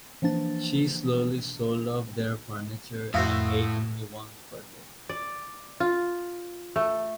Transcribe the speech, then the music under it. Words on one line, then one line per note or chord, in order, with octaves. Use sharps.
She slowly sold off their furniture and ate only once per day.
E3 F3 A#3 D4 A6
F2 A2 E4 F#4 C5 F5 D#6
D5
F4
A3